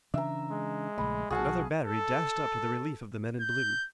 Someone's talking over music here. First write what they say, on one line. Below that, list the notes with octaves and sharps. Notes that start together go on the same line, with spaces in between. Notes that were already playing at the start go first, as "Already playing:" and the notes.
Another battery dashed up to the relief of the men in blue.
C#3 E3 D4 E5 A#5
G#3
A#1 C#3 A3 B5
B1 F#4 G#4 F5 A5
A4
G6